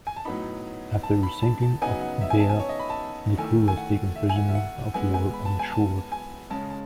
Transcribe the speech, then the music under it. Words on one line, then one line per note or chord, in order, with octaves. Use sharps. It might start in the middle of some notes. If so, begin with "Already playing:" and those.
After the sinking of "Vega" the crew was taken prisoner-of-war on the shore.
G#5
A5
A2 F#3 B3 D#4 B5
A5
B5
A5
A5
C#3 F#3 B3 D#4 G#5
F#5
E5
G#5
A5
G#5
C#5
D#5
B5
A5
D#3 A3 E4 G#5
G#5
F#5
E5
G#5
F#5
E5
F#5
E3 G#3 B3 E4 G#5
G#5
B5
A5
G#5
A5
G#5
C#3 G#3 C#4 A5
A5